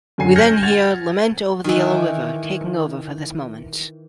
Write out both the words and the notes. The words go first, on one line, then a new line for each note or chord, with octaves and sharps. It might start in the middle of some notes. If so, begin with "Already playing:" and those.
We then hear the "Lament at the Yellow River" taking over for this movement.
F#2 D3 G#5 C7
F6 G6 G#6 A#6 C#7
F#5 G#6 A6 F7
D#3 E3